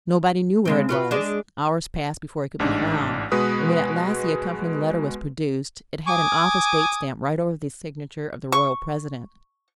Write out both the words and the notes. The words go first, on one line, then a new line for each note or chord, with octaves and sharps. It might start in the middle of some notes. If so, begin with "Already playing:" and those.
Nobody knew where it was; hours passed before it could be found; and when at last the accompanying letter was produced, it had an office date stamp right over the signature of the royal president.
C#3 G#3 C4
F4 F#4 B4
G#3 D4
A1 G#2 D4
B2 G#3 F#4 B4 D#6
G#5 D6 D#6
C#6